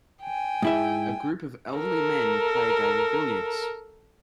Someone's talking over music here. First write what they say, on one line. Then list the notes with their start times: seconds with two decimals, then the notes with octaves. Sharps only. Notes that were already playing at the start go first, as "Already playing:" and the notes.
A group of elderly men play a game of billiards.
0.22 G5 G#5
0.62 G#2 E4 E5
1.75 A4 A#4